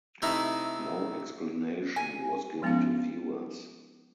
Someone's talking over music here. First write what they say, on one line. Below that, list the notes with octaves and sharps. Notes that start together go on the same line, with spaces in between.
No explanation was given to viewers.
C3 A3 D#4 E4
G#5
F3 G#3 B3 C#4 D#4 F5